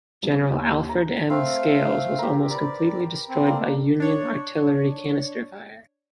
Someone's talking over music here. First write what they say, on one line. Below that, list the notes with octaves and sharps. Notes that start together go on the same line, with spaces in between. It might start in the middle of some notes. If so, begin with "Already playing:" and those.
General Alfred M. Scales was almost completely destroyed by Union artillery canister fire.
C2
D#2
A#5
A3 C4 A#4 F5
G4 A#4
A#4 B4 D5
D6
C4
A#3 D4 A4
D4 C#5